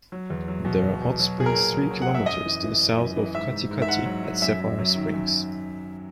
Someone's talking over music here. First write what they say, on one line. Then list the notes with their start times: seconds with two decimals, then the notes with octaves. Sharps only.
There are hot springs three kilometres to the south of Katikati at Sapphire Springs.
0.12 F#3
0.30 E2
0.48 F#3
0.65 B2
0.83 F#3
1.02 B2
1.20 F#3
1.38 A#2 G#4
1.46 A#4
1.54 F#3
1.74 F#3
1.91 F#3
2.02 F#5
2.08 F#3
2.15 E5
2.26 F#2 D#5
2.45 E3
2.63 E3
2.80 F#2
2.98 F#2
3.16 E3
3.35 G#2 E5
3.52 G#2
3.71 G#2
3.82 E5
3.88 G#2 F#5
4.06 F#3
4.24 F#3
4.42 F#2 E5
4.60 F#2
4.79 F#3
4.95 D#3
5.14 F#2